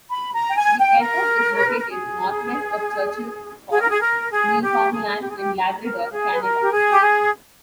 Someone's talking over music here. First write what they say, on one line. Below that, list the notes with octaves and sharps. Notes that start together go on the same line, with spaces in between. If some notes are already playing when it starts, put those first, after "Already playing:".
The airport is located northwest of Churchill Falls, Newfoundland and Labrador, Canada.
B5
A#5
G5
G#5
G5
A#4
C#5
B4
A#4
G#4
G#4
A#4
G#4
A#4
G#4
G4
G#4
G4
G#4
G4
A#4
G#4
B4
A#4
G4
G#4
G4
G#4